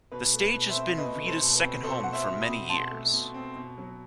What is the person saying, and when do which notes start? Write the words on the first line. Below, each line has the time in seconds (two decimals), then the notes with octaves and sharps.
The stage has been Rita's second home for many years.
0.12 B2 B4
0.34 A3
0.41 B4
0.54 B2
0.69 C5 E5
0.76 C4
0.98 B2 B4 D#5
1.20 A3
1.26 A4 C5
1.40 B2
1.55 B4
1.62 C4
1.83 B2 A4 C5
2.04 A3 F#5
2.12 C5 E5
2.27 B2
2.41 B5 D#6
2.48 C4
2.69 B2 A5 C6
2.91 A3
3.13 B2
3.34 C4
3.56 B2
3.78 F#3